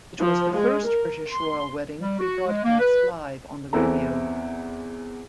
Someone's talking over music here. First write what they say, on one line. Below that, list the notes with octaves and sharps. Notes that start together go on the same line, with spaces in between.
It was the first British royal wedding to be broadcast live on the radio.
F3
G#3
A#4
C6
G3
F#4
G#3
A#3
B4
E2 E3 C4 E4 A4 A#5